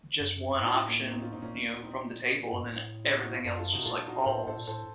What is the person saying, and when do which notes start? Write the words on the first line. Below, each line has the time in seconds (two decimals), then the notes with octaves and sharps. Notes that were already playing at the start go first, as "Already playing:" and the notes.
just one option, you know, from the table, and then everything else just, like, falls.
0.20 F#2
0.55 F#2
0.61 A2 D#4 F#4
0.74 C#4 F4
0.88 A#3 C#4
1.01 A#3 C#4
1.11 C4 D#4
1.22 C#4 F4
1.32 C4 D#4
1.42 A#2 A#3 C#4
1.83 C4 D#4
2.53 F#2
2.64 A2
3.05 C#4 F4
3.18 D#4 F#4
3.32 C#4 F4
3.45 F#2 A4 C5
3.59 F4 A4
3.72 C3 D#4 F#4
3.82 A#4
3.85 A#2 F4 A4
4.06 D#4 F#4
4.22 A#4
4.26 A2 A4 C5
4.47 A2 A4 C5
4.57 A#2
4.67 A2 A4 C5